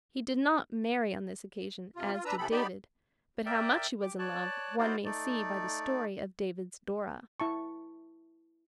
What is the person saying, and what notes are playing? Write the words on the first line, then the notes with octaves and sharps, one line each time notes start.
He did not marry on this occasion, as did David, but how much he was in love one may see by the story of David's Dora.
C3 F4
F4
D4 B4 A#5 E6
C3 E3 B3 C4 A4 B5
B3 D#4 G4 D5 B5
A#4 D5 E5 G5
G4 D6
C#5 D5 A5 F#6
D#4 E4 F#4 A#4 C5 D5
A3 D#4 D5
E4 A5 C#6